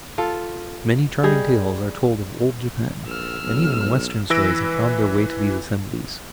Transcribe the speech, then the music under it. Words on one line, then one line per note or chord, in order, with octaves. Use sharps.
Many charming tales are told of old Japan, and even Western stories have found their way to these assemblies.
F4 A4
G3 G#4 D#5
A#1 E6 F6
B1
E3 B4 E6 A#6 D7